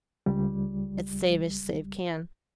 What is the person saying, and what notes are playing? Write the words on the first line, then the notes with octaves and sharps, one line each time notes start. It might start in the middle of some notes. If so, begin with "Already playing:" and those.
It's save as save can.
C#2 G3